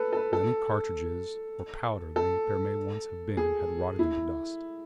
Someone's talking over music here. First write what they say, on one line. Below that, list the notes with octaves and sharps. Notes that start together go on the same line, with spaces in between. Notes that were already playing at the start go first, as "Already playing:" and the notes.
But any cartridges or powder there may once have been had rotted into dust.
Already playing: A4 B4
A4
B4
A4
A4
G#4
E4